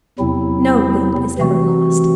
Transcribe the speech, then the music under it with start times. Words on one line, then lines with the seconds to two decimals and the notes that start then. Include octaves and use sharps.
No good is ever lost.
0.19 E2 C3 F#3 C4 E4
1.38 C3 E3 A3 C4 F#4